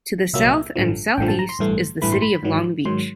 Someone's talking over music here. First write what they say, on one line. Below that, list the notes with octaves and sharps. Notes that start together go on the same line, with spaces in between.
To the south and southeast is the city of Long Beach.
C2 A#2 F#3 A#3 E5
A1 G2 D3 F3
A1 G2 D3 F3 G5
A5
A#5
C6
A1 G2 E3 A3
A1 G2 E3 A3 B5
C6
B5
G#2 D#3 F#3
G#2 D#3 F#3 C6